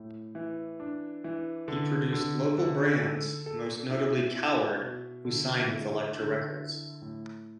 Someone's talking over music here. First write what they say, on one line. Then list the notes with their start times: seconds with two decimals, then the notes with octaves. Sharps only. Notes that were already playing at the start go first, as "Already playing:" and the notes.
He produced local bands, most notably Coward, who signed with Elektra Records.
Already playing: A2
0.35 E3
0.80 D4
1.24 E3
1.68 D3
2.12 D3
2.58 D3
3.01 A4
3.46 A4
3.91 E4
4.35 E4
4.79 B2
5.25 D3
5.68 E4
6.13 D3
6.57 E4
7.02 A2